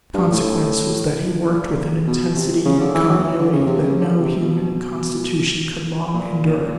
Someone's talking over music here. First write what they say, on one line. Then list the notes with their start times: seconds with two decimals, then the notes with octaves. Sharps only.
The consequence was that he worked with an intensity and continuity that no human constitution could long endure.
0.14 G2
0.32 A2
1.48 A#2
2.07 B2
2.36 C3
2.65 C#3
2.80 D3
2.95 E3
3.09 F#3
3.24 E3
3.39 D3
3.53 C#3
3.67 C3
3.81 C#3
4.01 D3
4.20 C3
4.40 B2
6.15 A#2